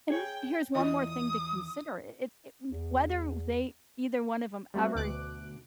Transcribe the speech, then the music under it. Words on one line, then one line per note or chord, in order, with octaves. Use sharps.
And, here's one more thing to consider. I it's it whether they either one of 'em ever
G#4 C#5 G5
E2 E4 F4 D#5 D#6
E2
G3 A3 B3 C4 F#4
D2 B2 D6 F#6 D7